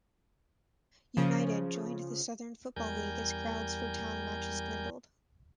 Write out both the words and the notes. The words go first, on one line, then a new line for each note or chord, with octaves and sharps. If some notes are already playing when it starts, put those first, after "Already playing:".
United joined the Southern Football League as crowds for Town matches dwindled.
C#3 F3
E2 G3 A#4 G#5 G6